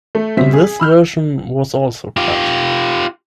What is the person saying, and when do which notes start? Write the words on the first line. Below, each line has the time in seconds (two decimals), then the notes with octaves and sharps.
This version was also cut.
0.15 A3
0.37 B2 G3 C4 C#4 E5 B6
0.53 G#4
0.80 B5 E6 F6 G6
2.17 F4 G4